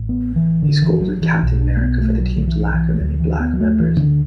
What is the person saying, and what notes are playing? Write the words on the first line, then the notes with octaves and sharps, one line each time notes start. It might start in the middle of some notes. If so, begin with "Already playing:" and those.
He scolded Captain America for the team's lack of any black members.
Already playing: A1 A2
B3
E3
D3
E3
F#3
E3
B1 B2
D4
A3
B3
A3
F#3
D3
E3
E3
A3
D2 D3 F#3
E3
B3
F#3
A3
E3
D3